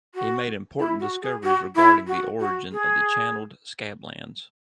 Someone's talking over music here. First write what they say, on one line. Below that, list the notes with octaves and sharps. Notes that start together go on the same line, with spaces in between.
He made important discoveries regarding the origin of the Channeled Scablands.
F#4
E4
F#4
G#4
F#4
E4
F#4
F#4
G#4